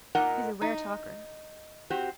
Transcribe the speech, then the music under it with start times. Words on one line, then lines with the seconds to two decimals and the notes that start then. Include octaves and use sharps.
He's a rare talker.
0.15 A#2 D#4 A#4 D#5 F#5
0.62 D#4
1.90 C4 F#4 G4